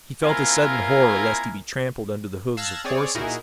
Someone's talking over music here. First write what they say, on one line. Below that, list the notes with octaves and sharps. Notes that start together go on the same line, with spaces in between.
He felt a sudden horror lest he be trampled under the hoofs of horses.
A#3 C4 E4 F4 A#4 G#5
F5 A5 E6 F#6 G#6 A#6
C4 G#4 C#5 D5
A#2 D#4 E4 F#4 G#4 A#4